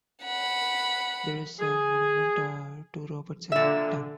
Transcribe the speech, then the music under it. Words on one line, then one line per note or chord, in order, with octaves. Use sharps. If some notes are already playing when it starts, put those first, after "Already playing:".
There is a monument to Robertson in Tongue.
F#5 B5
G#4
A#2 D3 E5